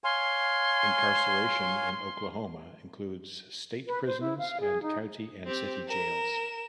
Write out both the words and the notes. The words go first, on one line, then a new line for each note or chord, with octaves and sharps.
Incarceration in Oklahoma includes state prisons and county and city jails.
C#5 F5 G#5 C6
B4
C5
E4
F5
G#4
D#4
C4 G4
A#4 E7